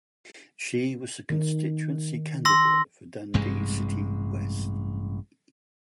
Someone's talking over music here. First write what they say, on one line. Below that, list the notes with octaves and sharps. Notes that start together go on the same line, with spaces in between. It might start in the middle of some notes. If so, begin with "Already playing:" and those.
She was the constituency candidate for Dundee City West.
D#3
C6 E6 A#6
A1 G2 C3 G#3